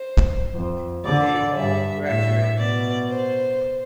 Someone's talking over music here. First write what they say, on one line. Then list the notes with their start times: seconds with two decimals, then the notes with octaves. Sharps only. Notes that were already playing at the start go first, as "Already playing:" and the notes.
They all graduated.
Already playing: C5
0.55 F2
1.05 D3 D5
1.57 G2 E5
2.08 A2 E5
2.59 B2 D5
3.09 C5